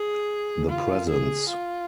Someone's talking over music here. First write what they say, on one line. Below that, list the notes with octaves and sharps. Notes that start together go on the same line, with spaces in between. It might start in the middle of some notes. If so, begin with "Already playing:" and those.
The presence.
Already playing: G#4
F4
G#4
F4